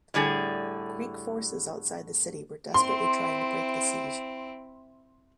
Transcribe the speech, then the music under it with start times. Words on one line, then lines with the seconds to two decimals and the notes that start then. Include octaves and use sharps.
Greek forces outside the city were desperately trying to break the siege.
0.14 A2 D3 G3 G#4
2.74 C4 E4 C6